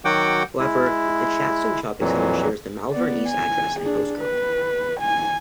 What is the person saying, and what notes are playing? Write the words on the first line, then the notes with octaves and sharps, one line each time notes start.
However, the Chadstone Shopping Centre shares the 'Malvern East' address and postcode.
D#3 F#3 F#4 F#5 G5 D6
G#3 E4
F2 A#2 E3 F#3
B3 D5
G#5
D4 G#4
B4
G#5